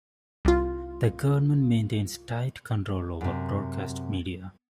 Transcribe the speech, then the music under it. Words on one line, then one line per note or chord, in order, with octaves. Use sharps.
The government maintains tight control over broadcast media.
C2 F4
F#2 C3